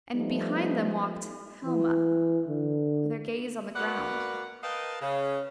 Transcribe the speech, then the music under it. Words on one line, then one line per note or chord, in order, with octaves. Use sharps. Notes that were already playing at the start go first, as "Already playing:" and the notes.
And behind them walked--Helma, with her gaze on the ground.
F3 G3 A3 B3 D#4
E3
D3
A#3 F#4 B4 D5 F#5
A#4 B4 D#5 F5 G5 A5
C#3